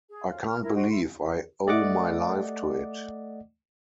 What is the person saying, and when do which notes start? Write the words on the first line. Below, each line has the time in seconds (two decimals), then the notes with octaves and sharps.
I can't believe I owe my life to it.
0.09 G#4
0.27 F4
0.46 F6
0.61 E4 A#4
0.74 F#4 C5 D#5
0.90 E5 B5 C6
1.67 A3 D5 D#5 F#5 D6